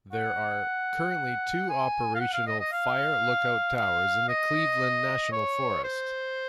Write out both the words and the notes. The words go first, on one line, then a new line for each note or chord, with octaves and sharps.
There are currently two operational fire lookout towers in the Cleveland National Forest.
F#5
G#5
F5
F#5
F5
D#5
D#5
F5
F5
D#5
C#5
C5